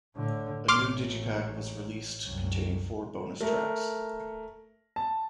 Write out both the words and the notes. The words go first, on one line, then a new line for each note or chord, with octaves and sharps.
A new digipack was released containing four bonus tracks.
A2 D3
A1 C6 D6 F6
C2 F#2
A3 A#4
A5